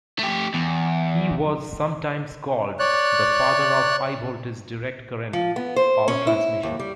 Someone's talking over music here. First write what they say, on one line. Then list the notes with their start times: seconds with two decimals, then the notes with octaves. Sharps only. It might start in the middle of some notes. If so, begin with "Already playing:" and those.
He was sometimes called "The Father of High Voltage Direct Current" power transmission.
0.19 A3 G4
0.54 E2
2.79 C#5 D5 F#6
5.33 F3
5.56 B3
5.76 C5
6.08 C#4
6.27 E4
6.63 D#2
6.79 G3